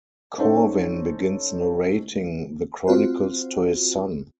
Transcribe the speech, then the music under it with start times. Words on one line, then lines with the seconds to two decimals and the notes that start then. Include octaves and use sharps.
Corwin begins narrating the Chronicles to his son.
0.38 C#4 D#4 A4 C5 C#5
2.87 C4 F4 F#4 C5